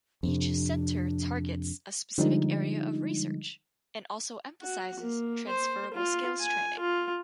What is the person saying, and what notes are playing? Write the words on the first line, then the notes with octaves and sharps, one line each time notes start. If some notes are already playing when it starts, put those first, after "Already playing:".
Each Centre targets a specific area of research, and also emphasises transferable skills training.
F2 C3 D4
D3 F3 G3 G#3 D#4
F#4
A#3
C5
F4
G#5
F4